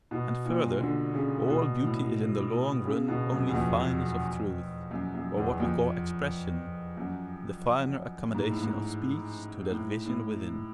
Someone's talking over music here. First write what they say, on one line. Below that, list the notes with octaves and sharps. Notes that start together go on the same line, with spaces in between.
And further, all beauty is in the long run only fineness of truth, or what we call expression, the finer accommodation of speech to that vision within.
B2
A#2
D3
C#3
B2
A2
C#3
B2
F#2
E2
F2
F#2
F#2
E2
F2
F#2
G#2
A2
G#2
A2
A2